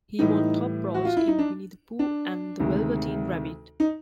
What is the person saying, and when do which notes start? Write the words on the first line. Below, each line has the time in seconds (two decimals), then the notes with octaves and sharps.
He won top roles in "Winnie the Pooh" and "The Velveteen Rabbit".
0.19 A2 E3 G3 D#4
0.94 F#4
1.05 F4
1.17 E4
1.28 D#4
1.39 D4
1.99 D4
2.60 D2 C3 D#3 G#3
3.80 D#4